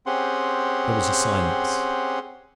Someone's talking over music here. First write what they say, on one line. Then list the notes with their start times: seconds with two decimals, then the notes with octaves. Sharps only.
There was a silence.
0.06 C4 C#4 G4 G#4 F#5 C6